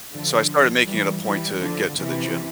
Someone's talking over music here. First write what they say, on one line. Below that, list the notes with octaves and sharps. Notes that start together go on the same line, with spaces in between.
So I started making it a point to get to the gym.
D3 F3
E3 G3
E3 G3
D3 F3
C3 E3